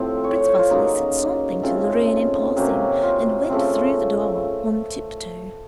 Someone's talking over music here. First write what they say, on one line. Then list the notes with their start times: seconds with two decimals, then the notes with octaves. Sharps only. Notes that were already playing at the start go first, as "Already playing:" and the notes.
Prince Vasili said something to Lorrain in passing and went through the door on tiptoe.
Already playing: A2 C3 F3 C4
0.24 C#5
0.36 C#5
0.48 C5
0.59 F4
0.70 C#3 F#3 A#3 D#4
1.63 C#3 A3 C4 F4
2.56 C3 F#3 A#3 C#4
3.03 F4
3.50 C#3 F3 A3 C4